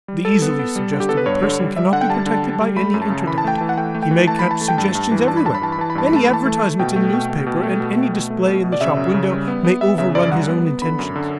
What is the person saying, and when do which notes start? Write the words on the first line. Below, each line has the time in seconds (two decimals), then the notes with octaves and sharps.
The easily suggestible person cannot be protected by any interdict; he may catch suggestions everywhere, any advertisement in the newspaper and any display in the shop-window may overrun his own intentions.
0.08 G3
0.25 G3 A4
0.42 B3
0.59 B3
0.76 G3
0.92 D3
1.00 G4
1.09 B3 A4
1.17 B4
1.26 G2 C#5
1.43 D3
1.60 G3
1.76 G3 E5
1.93 D3 F#5
2.01 G5
2.09 G3 A5
2.26 D3
2.43 G3
2.60 G3
2.76 A3 B5
2.94 F#2
3.02 A5
3.10 C#3
3.27 E3 B5
3.38 A5
3.44 A3 G5
3.58 E3 A5
3.69 F#5
3.77 A3 G5
3.94 A3
4.03 G5
4.11 E3
4.27 A3 A5
4.39 B5
4.44 E3
4.51 A5
4.61 A3
4.68 G5
4.78 G2 A5
4.95 G2
5.12 E3
5.28 G2 A5
5.37 B5
5.45 G2 A5
5.55 B5
5.62 E3 A5
5.72 B5
5.78 E3 A5
5.90 B5
5.95 G2 A5
6.07 B5
6.12 A3 A5
6.25 B5
6.29 E3 A5
6.46 A3
6.63 A3
6.79 B2 G5
6.96 A3
7.13 B2
7.30 A3
7.46 B2
7.63 A3
7.80 B2
7.97 A3
8.13 B2
8.30 A3
8.47 B2
8.64 B2
8.72 D5
8.81 C#3 E5
8.97 F#2
9.14 C#3
9.30 G3
9.48 B3
9.64 B3
9.81 B3 E5
9.98 C#3 E5
10.15 F#2 D5
10.32 G3 F#5
10.48 B3
10.65 B3
10.82 D3 B5
10.99 F#2
11.16 D3